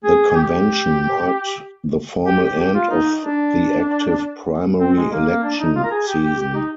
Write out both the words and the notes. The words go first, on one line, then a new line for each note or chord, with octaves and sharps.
The convention marked the formal end of the active primary election season.
G#4
G#4
G4
G4
G4
G4
F4
D#4
D4
C4
G#3
A#3
A#3
D4
D#4
F4
A#4
G#4
G4
G4
G4
D#4